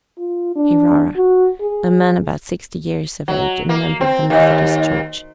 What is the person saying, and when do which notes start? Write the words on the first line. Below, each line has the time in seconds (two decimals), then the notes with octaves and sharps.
Hirara, a man about sixty years of age, and a member of the Methodist Church.
0.18 F4
0.56 D4
1.16 F#4
1.61 G#4
3.28 F#3
3.69 A#3
4.01 C4
4.30 D#2